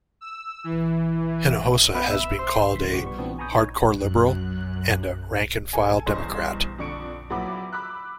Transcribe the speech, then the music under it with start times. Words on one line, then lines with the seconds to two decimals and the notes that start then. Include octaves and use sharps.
Hinojosa has been called a "hard-core liberal" and a "rank-and-file Democrat".
0.21 E6
0.64 E3
1.95 B3
2.10 E5
2.39 C5
2.75 C2 E3 C6 B6
2.93 G2 C#3 F3 G4 F#5 C#6
3.05 G3 B3 C#6
3.18 A#2 E3 B3 C4 D4
3.38 G#5 A#5 B5 C#6 D#6 G6
3.52 D#4 C#5
3.94 F#2 F#6
5.73 A4 G#5
6.06 E2 G2 G3 C5 D#5 C#6
6.79 F2 D3 D5 C#6 C#7 D7
7.30 A#1 F#3 B3 E4 B5 D6
7.73 B5 D6 E6 F#6